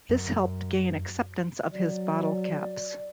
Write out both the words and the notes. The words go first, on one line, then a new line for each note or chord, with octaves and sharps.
This helped gain acceptance of his bottle caps.
F#2
F#3 D5